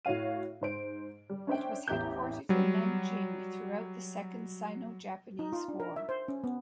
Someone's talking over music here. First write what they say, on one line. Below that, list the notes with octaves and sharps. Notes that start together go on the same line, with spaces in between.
It was headquartered in Nanjing throughout the Second Sino-Japanese War.
A2 F#4 C#5 F5 D#7
G#2 C5 D7
G3
C#4 D4 C5 E5 G5
A1 E2 G4 E5 A#5 G6
F#3 G3
D#4
F4
D4
A#4
E5
C5
C#4
B3